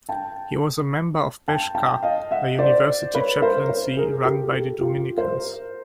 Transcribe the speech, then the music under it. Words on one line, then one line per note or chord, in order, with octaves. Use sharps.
He was a member of Beczka, a university chaplaincy run by the Dominicans.
G5 A5
G5 A5
G5 A5
D#5 F5
E5 F#5
C5 D5
B4 C#5
A#4 C5
C#5
A#4 C5
G#4 A#4
G4 A4
G4 A4
F4 G4
A#4 C5